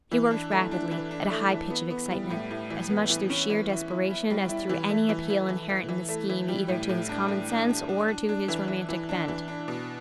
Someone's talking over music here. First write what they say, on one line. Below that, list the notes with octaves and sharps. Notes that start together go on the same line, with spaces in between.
He worked rapidly, at a high pitch of excitement--as much through sheer desperation as through any appeal inherent in the scheme either to his common-sense or to his romantic bent.
E3
D4
A3
D4
E3
D4
A3
E3
B3
B3
G3
A2
A2
E3
B3
E3
C#4
E3
E4
E4
E4
G3
E4
E3
A3
E3
E3
E3
E3
E3
A3
E3
G3
A2
A2
D4
A2
D4
D4
D4
D4
D4
E3
E3
E3
D4
E3
D4
B2